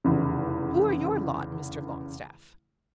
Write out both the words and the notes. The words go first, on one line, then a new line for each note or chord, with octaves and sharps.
"Who are your lot, Mr. Longstaff?"
F1 E2 C#3